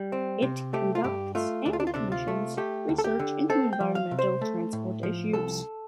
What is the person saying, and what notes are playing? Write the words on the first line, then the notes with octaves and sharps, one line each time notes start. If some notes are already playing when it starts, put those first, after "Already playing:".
It conducts and commissions research into environmental transport issues.
Already playing: G3
C4
C3
A3 G4
F4
G2 G4
A3 F4
D2 D4
F4
D4
F4
C3 D4
F4
A3
A3 G4
D2
A4
G4
D3
C4 A4
G5
F3
F5
C3
C5
A3
A2
F3
C2 A4